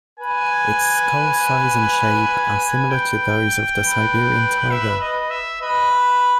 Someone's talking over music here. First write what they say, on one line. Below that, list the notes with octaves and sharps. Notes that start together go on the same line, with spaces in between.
Its skull size and shape are similar to those of the Siberian tiger.
B4 G#5
G5
B4
E5
D#5
E5
B4 D#5
E5